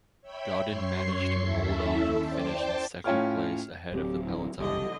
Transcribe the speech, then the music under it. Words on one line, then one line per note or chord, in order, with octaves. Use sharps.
Gaudin managed to hold on and finish in second place ahead of the peloton.
C#5 E5 G5 B5
F#2 C#5 C6 C#6 C7
D#2 C#4 E4 A4 E5
C5 D5 G5 A5
A2 C#4 F4 C#5 G5 F6
D1 F#3 C4 G4
E4
F#1 C2 G2 D3 E3 G4 D#5